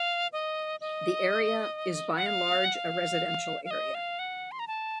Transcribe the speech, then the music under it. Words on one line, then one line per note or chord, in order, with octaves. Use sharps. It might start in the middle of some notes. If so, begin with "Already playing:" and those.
The area is by and large a residential area.
Already playing: F5
D#5
D#5
F#5
F5
F#5
F5
F5
D#5
F5
F#5
C6
A#5
A5